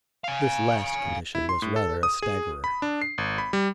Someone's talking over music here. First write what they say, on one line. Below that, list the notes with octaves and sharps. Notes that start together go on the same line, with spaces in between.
This last condition was rather a staggerer.
F5 G#5
E4
C6
A2
A4
D#6
G#4
B5
D4
C7
G#1
B5
G3